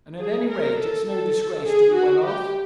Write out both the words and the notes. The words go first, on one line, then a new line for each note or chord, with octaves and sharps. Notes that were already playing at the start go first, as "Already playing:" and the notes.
'And at any rate, it is no disgrace to be well off.'
G#4
A#4
A4
A4
A4
G#4
F#4
G4